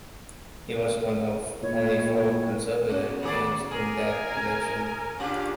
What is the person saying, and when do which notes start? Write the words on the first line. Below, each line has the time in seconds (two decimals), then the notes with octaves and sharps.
His was one of only four Conservative gains in that election.
1.62 A#2 D#3 E4 C#5
2.90 B3 C#4 F#4
3.23 D#3 G#4 D5
3.71 G#4 A#4 G#5
5.19 C#3 D4 F4 G4